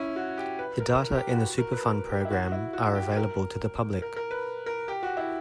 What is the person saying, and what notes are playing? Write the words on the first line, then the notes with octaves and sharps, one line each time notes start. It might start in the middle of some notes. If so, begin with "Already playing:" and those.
The data in the Superfund Program are available to the public.
Already playing: C#4 E4
F#4
G4
B4
A#4
A#4
G4
F#4
F#4
A#4
B4
A#4
G4
E4
F#4
E4
F#4
G4
A#4
A#4
A#4
B4
A#4
G4
F#4
E4